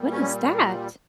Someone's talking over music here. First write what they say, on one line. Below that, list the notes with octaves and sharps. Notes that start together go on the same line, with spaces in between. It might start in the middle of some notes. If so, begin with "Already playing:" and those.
What is that?
Already playing: A#2 G3
C#4